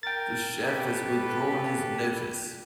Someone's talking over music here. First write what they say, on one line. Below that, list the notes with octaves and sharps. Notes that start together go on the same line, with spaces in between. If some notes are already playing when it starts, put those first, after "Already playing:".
The chef has withdrawn his notice.
A#4 G5 A6
G4 A4 B4